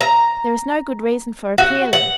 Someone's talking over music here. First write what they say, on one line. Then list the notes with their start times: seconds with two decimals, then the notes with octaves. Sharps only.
There is no good reason for appealing.
0.01 A#5
1.58 F#4
1.93 F#5